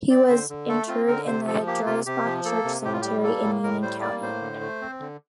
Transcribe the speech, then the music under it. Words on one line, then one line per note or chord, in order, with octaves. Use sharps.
He was interred in the Driesbach Church Cemetery in Union County.
C4 D5
D3 C5
D3
A3 A4
C4 F4
D3 A#4
C3 C5
F3 A4
A#3 G4
C3 F4
C3 G4
F3
A#3 A4
C3
A2 G4
F4
G3 G4
A#3 A4
A2
A2 A#4
G3 C5
A#3 D5
A2 C5
D3
A3
C4
D3